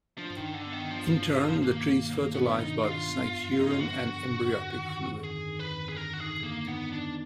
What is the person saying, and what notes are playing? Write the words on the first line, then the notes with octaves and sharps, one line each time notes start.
In turn the tree is fertilized by the snake's urine and embryotic fluid.
F3 D4
D#3
D4
D3
B3
D#3
F3 D4
B2
B2
D#3 A#3
D#3
D#3
B3 D4
D#3 D#4
D4 F4
B3
F#2
F3 D#4
F4
D3 F#4
D3
D3
F2
D#3
F2
D#3 G#4
D#3
B4
F2
G#4
D3 A#4
F#4
D#4 G#4
D3 A#3
B3 D#4
B3 D4